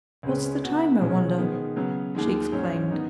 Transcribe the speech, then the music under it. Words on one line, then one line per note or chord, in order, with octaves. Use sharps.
"What's the time, I wonder?" she exclaimed.
C#2 C#3 G#3 C#4 B4
C#3 B3 F#4
B1 B2 G#3 C#4
D#3 G#3 B3
C#3 F#3 B3
D#2 D#3 G#3
G#2 F#3 C#4
D#3 B3 D#4